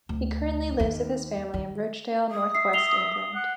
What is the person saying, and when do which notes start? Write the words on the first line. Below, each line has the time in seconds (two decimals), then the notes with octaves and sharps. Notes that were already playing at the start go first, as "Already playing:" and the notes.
He currently lives with his family in Rochdale, North West England.
0.09 D2
0.80 D#2
1.54 D#3
2.30 D#6
2.55 E5 C7
2.73 C7 F7 G7
3.35 F#5